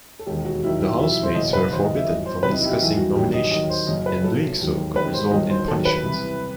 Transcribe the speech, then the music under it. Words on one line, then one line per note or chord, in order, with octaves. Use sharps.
The housemates were forbidden from discussing nominations, and doing so could result in punishment.
A4
E1 D#2 D#3 G4
F#4
D#2 D#3 F#3 E4
E4
E2 B2 F#3 E4
E4
C5
F#1 E2 B2 D#5
B4
D#2 D#3 F#3 C5
D#5
E5
G1 F#2 E3 D#5
C5
C2 C3 D#3 F#3 B4
D#4
E4
G4
F#4
E2 D#3 F#3 E4
F#4
A1 G2 D#3 F#3 G4
D#5
D#2 D#3 F#3 D#5
C5
F#1 F#2 F#3 D#5
B4
B1 A2 F#3 A4
E1 D#2 D#3 F#3
E1 D#2 D#3 B4
C5
G1 G2 D#3 F#3 D#5
C5
D#2 D#3 F#3 A4
B4
C2 C3 E3